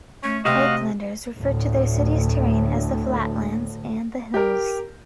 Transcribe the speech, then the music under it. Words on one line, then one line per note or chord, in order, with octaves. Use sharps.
Oaklanders refer to their city's terrain as "the flatlands" and "the hills".
A3 C#4
C3 A3 C4 F#4 D#5 F5
D2 A2
G4 A#4